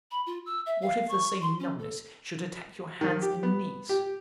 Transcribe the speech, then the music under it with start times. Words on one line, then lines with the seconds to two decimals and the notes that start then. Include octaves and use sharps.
What if the same numbness should attack your hands and knees?
0.11 B5
0.26 F4
0.46 E6
0.66 E5
0.81 F5
1.09 C#6
1.41 C6
1.60 C#4
1.78 A4
3.01 D#3
3.22 G4
3.43 B3
3.89 G4